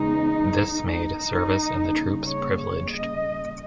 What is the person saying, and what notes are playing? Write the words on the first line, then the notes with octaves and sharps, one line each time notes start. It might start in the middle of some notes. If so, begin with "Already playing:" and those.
This made service in the troops privileged.
Already playing: E2 C#3 G#3 B3 D#4
D#4
C#3 G3 A#3
C#5
C#5
D#5